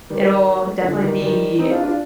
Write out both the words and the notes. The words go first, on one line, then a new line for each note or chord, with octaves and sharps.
it'll definitely be
D#3 G3
D3 F3
D#3 G3
D#3 G3
C4 D#4
D4 F4
D4 F4